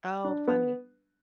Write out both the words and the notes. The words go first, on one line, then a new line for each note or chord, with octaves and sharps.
Oh, funny.
D4
B3